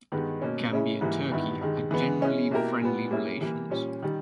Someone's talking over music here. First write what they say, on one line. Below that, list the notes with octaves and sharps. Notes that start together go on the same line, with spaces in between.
Gambia and Turkey had generally friendly relations.
G2 D#3 G#3 B3
B2 A#3 C#4
C#3 G#3 C#4 E4 G#4
G#2 E3 G3 A#3 E4
G2 D#3 G3 B3 E4
G2 D#3 G#3
E3 G#3 B3
G#3 C#4 E4
B2 A#3 E4 G4 A#4
A#2 G3 B3
G3 A#3 C#4 E4 G#4
E3 G3 A#3
A#2 G3 C#4
D#3 G3